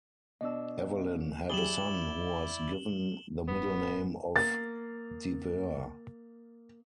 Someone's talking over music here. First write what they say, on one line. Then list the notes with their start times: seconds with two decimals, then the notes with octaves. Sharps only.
Evelyn had a son who was given the middle name of De Vere.
0.41 B2 D4 D#5 E6
1.50 F#3 E4 G4 G#4 D5 E7 F#7 G7
3.48 D1 B3
4.36 A#3 A6